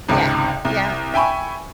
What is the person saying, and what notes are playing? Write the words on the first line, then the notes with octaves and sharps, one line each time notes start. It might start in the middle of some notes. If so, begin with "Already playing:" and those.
Yeah. Yeah.
G#1 C#2 C3 D#3
C2
E5 G5 G#5 B5 C#6